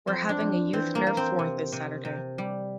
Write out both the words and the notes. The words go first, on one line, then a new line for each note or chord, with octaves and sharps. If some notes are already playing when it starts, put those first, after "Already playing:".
We're having a youth nerf war this Saturday.
F2 C4
D4
F2
E3 C4
A#3
A#3
C4
C3
C3
C3
G3